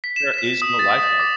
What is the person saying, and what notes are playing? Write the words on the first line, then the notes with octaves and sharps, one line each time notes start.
There is no lifeguard.
B6
E7
B6
D#6
A6
D#6
D6